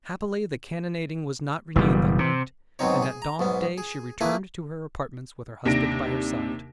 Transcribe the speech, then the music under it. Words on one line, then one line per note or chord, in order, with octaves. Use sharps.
Happily, the cannonading was not renewed that night, and at dawn of day she returned to her apartments, with her husband by her side.
F#1 B2 E3 G3
C3
G#2 B2 F#3 C4 D#4 C#5
G#4
A#5
B1 G#2 B3
G#4
A3 A#3 E4 G#4 B4
D#2 C3 D4 A#6 D7